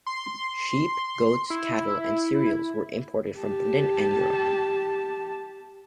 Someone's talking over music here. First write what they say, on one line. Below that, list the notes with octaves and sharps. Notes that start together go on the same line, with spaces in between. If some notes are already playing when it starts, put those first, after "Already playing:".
Sheep, goats, cattle and cereals were imported from Britain and Europe.
C6
E4
G4 A5